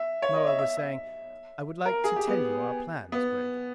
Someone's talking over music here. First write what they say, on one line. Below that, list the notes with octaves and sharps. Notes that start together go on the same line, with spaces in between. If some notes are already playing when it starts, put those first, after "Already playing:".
Moa was saying, "I would like to tell you our plans, Gregg."
Already playing: E5
C#5
D#5
E5
E5
E5
A#4
G#4
G4
B3
B3